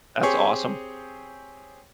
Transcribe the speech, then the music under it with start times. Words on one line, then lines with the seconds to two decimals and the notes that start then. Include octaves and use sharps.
That's awesome.
0.23 C4 G4 G#4 C#5